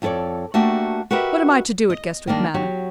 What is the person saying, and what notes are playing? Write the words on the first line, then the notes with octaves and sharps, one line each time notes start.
What am I to do at Guestwick Manor?
F2 D#4 A4 C#5 D5
A3 A#3 D4 F#4 G4
F#4 G4 A#4 B4 D#5 E5
D#5
D#3 G3 A#3 D4
F#3 F#4 G4